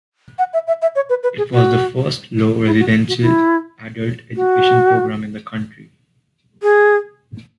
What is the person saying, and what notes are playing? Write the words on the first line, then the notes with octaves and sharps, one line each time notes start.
It was the first low-residency adult education program in the country.
F#5
E5
E5
E5
C#5
B4
B4
G#4
F#4
E4
F#4
F#4
E4
F#4
G#4